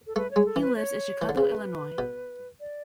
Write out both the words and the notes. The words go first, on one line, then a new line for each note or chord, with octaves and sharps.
He lives in Chicago, Illinois.
A4
A3 B4
C#5
G#3
A4
E3
B4
C#5
E3
D3
C#3 B4
B2
D5